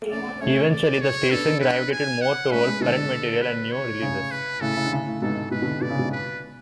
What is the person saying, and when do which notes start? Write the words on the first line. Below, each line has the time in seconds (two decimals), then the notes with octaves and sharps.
Eventually, the station gravitated more toward current material and new releases.
0.11 A3 C#4 D5
0.41 A3 C#4 C#5
0.71 D5
1.01 C#5
1.31 B3 D4 A4
1.61 B4
1.91 G#5
2.22 F#5
2.51 A3 C#4 B4
2.66 G#3 B3
2.81 B2 D3 A4
3.42 B4
3.72 C#5
4.01 A2 C#3
4.31 B4
4.61 A2 C#3 A4
4.76 A2 C#3
4.86 D3
4.92 A2 C#3
5.06 A2
5.22 G#2 B2 A4
5.51 G#2 B2 B4
5.62 B2 D3
5.81 B2 D5
5.90 C#3
5.98 G#2 B2
6.12 B4